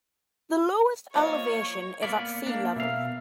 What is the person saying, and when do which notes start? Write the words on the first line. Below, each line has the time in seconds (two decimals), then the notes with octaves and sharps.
The lowest elevation is at sea level.
1.14 F3 A#3 C#5 D#5
2.03 A#3 B3 D5
2.47 A#3 D4
2.76 B2 E5 F5